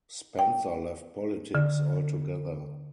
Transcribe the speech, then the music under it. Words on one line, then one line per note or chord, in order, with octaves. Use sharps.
Spencer left politics altogether.
G5
D3